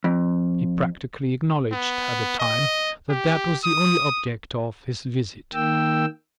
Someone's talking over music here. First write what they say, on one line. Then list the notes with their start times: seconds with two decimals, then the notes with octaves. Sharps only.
He practically acknowledged at the time that that was the only object of his visit.
0.04 F2
1.72 B3
2.39 D#5
3.09 G4
3.64 D#6
5.53 D#3 A#3 G5 E6